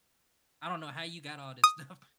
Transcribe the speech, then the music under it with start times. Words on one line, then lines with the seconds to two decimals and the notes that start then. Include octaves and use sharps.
I don't know how you got all this stuff
1.64 D#6